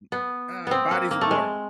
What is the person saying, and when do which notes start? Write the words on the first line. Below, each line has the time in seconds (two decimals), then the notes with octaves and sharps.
Mm-mm, um, bodies of water,
0.12 B3
0.67 B3 C4
0.91 A#3
1.11 A#3
1.21 A3
1.31 G#3